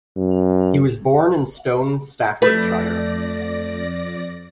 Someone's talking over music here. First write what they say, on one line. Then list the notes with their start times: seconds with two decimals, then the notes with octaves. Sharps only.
He was born in Stone, Staffordshire.
0.17 F#2
2.42 F2 A3 B4 D5 A#6